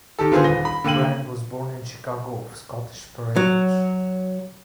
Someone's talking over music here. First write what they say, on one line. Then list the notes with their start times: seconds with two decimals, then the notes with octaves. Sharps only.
Brand was born in Chicago of Scottish parentage.
0.19 D#3 G4 A4
0.32 D3 B3 F4 G#4 B4 C5
0.44 D#1 B4 A#6 G7
0.65 B5
0.84 D3 A#3 G5 D#7 F#7
3.36 F#3